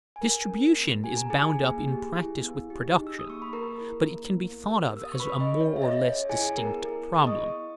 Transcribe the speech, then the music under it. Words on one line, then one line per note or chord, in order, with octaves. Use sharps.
Distribution is bound up in practice with production, but it can be thought of as a more or less distinct problem.
G#5
G#4 A#4 A#5
C#4
A#3
G4 G#5
A#5
E4 G#4 G#5
A#3
G4
E4
B3
G4
D#4
E6
D#6
A#3 C#6
B5
G#4 A#4 A#5
E4
A#3
B3
G4
B3 E6
D#6
C#6
C#4 B4 B5
D#5
G#4
C#5
C#4 E5
D#5
G#4 C#5
E4 G#4 G#5
B3 A#4 A#5
G#4
E4
C#6
D#5 D#6
B3